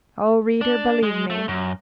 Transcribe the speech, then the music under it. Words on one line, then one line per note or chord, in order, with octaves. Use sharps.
Oh, reader, believe me!
D4
G#3
A3
F#2